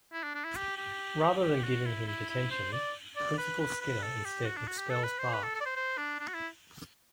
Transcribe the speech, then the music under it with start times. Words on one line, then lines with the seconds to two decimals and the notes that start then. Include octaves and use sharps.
Rather than giving him detention, Principal Skinner instead expels Bart.
0.12 E4
0.23 D4
0.34 D4
0.44 E4
0.56 G4
0.77 G4
1.42 G4
1.64 F#4
1.86 E4
2.07 E4
2.29 E4
2.51 C5
2.72 D5
3.16 D5
3.38 B4
3.60 B4
3.81 B4
4.03 A4
4.24 G4
4.46 F#4
4.57 D4
4.67 F#4
4.78 G4
4.89 A4
5.04 B4
5.18 C5
5.33 B4
5.43 A4
5.55 A4
5.60 D5
5.65 C5
5.76 C5
5.98 D4
6.19 D4
6.28 F#4
6.34 E4